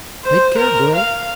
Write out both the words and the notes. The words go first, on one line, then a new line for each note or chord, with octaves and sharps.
"Take care, girl!"
C5
A#4
F5